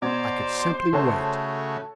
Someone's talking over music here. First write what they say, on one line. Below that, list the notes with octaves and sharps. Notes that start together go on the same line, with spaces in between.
I could simply wait.
B2 C5 D5 A#5 G#6
C#3 A3 F#4 A4 C#5 A5